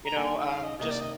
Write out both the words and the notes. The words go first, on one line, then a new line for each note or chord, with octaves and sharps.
you know, um, just
A#5
D#3 G3 A#3 G#5
F5
D#5
C3 D#3 A#3 D#5
D5
D#5